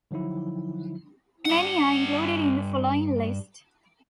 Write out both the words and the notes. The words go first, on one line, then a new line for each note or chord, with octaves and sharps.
Many are included in the following list.
D3 F3 F#3 D#4 E4
G2 F#5